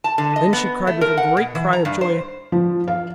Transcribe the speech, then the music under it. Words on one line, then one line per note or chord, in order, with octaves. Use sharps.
Then she cried with a great cry of joy.
A5
D3
D#5
B3
A3
A#4
F#5
B2
E3
A#5
G2
C5
F3
F5